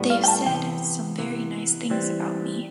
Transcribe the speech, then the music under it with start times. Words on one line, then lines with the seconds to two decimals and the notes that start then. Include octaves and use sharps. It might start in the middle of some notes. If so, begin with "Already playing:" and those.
They've said some very nice things about me.
Already playing: A2 G3 B3
0.10 F5
0.24 G5
0.28 A5
0.46 C3 E3 B3 G5
1.18 C3 E3 B3
1.90 E3 G3 C4